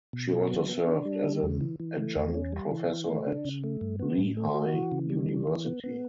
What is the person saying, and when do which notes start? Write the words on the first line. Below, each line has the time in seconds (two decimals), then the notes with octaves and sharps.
She also served as an adjunct professor at Lehigh University.
0.13 B2
0.33 F#3
0.51 B3
0.69 B3
0.87 D4
1.05 G3
1.24 D3
1.43 E2
1.61 E3
1.80 E3
1.97 A3
2.16 E2
2.34 C#4
2.52 G3
2.71 E3
2.90 E3
3.08 A3
3.27 D4
3.45 C#3
3.64 A3
3.81 G2
3.99 B3
4.18 A2
4.37 A3
4.54 F#4
4.74 E3
4.92 C#3
5.10 G3
5.29 E3
5.47 E3
5.65 B3
5.84 B3